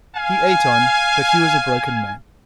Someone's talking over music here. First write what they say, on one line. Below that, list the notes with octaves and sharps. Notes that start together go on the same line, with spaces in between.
He ate on, but he was a broken man.
F5 G#5